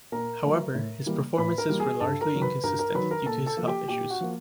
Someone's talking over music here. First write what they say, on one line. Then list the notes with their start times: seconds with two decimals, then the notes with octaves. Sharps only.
However, his performances were largely inconsistent due to his health issues.
0.12 A#2 A#4 A#5
0.44 F#3 A3
0.75 A2
1.06 E3 G3 A#3
1.37 A2 B4 B5
1.58 A#4 A#5
1.69 E3 G3 A#3
1.80 G#4 G#5
2.01 G2 A4 A5
2.21 A#4 A#5
2.32 D#3 F#3
2.42 B4 B5
2.64 G2 A#4 A#5
2.79 A#4 A#5
2.95 D#3 F#3 B4 B5
3.11 A#4 A#5
3.26 A#2 A4 A5
3.46 A4 A5
3.57 F3 A#3
3.67 G4 G5
3.88 A#2 G4 G5
4.10 F#4 F#5
4.21 F3 A#3